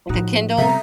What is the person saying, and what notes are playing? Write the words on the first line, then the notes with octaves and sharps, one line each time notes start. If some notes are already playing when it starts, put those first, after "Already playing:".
Like a Kindle?
A2 F3 D#4 F#4
C3 G3 C4 A4 E5 A#5